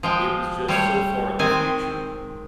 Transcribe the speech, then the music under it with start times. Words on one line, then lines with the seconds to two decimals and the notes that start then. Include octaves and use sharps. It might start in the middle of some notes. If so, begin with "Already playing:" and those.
It was just so far in the future
0.03 F3 G#3 G5
0.68 G3 A3 C5 C#5
1.39 D#3 G#3 C4 G#5